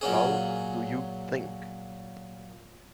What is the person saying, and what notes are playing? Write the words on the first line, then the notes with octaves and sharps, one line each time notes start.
How do you think?
A#2 F#3 C#4 G#4